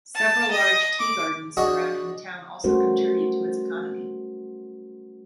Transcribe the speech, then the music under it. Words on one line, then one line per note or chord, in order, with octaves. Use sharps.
Several large tea-gardens surrounding the town also contribute to its economy.
A5
D#5
D6
D4 F#4 G#4 C#5 D#5 F#5
G3 A3 C#4 F#4 A#4 C5